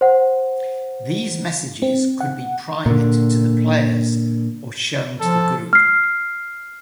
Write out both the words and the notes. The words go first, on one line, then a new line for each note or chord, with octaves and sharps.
These messages could be private to the players or shown to the group.
C5 F#5
C4
F#5
A#2 D3
F3 A4
F6 C7